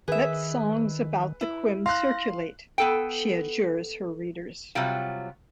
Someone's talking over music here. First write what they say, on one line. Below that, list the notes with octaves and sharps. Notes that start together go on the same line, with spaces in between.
"Let songs about the quim circulate," she adjures her readers.
D#3 G#4 B4 E5
E4
F5 C6 F#6 A#6
B3 A4 G5
C3 F#3 G3 F4